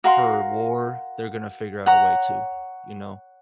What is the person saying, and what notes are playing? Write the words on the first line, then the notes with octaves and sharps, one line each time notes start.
for war, they're gonna figure out a way to. You know?
F#4 A#4 F5 C6
C#5 F#5 A#5